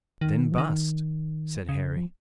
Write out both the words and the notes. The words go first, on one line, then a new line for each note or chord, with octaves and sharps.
"Then bust," said Harry.
D#3
F3
D#3
C#3
F3